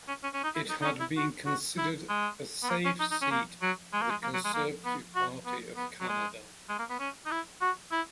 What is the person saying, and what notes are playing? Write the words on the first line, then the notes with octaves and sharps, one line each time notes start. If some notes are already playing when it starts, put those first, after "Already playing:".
It had been considered a safe seat for the Conservative Party of Canada.
C#4
C#4
C#4
D#4
E4
D#4
D#4
C#4
E4
F#4
F#4
E4
G#3
B3
A#3
C#4
D#4
D#4
C#4
A#3
F#3
G#3
A#3
G#3
A#3
F#3
G#3
A#3
B3
F#4
B3
B3
F#3
G#3
G#3
A#3
B3
C#4
D#4
E4
F#4
E4